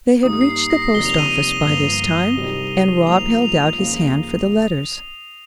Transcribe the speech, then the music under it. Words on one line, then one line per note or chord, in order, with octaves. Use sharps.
They had reached the post-office by this time, and Rob held out his hand for the letters.
G2 D#3 G3 A#3 D#4 D#6
C7
C7
A#6
C7
F1 F2 D#3 G3 A#3 G7
F7
D#7
D#7
G7
G1 G2 F3 A#3 F7
C2 C3 G3 C4 D#4
G#2 F3 A#3 F4 F7
F7
D#2 C#3 F3 A#3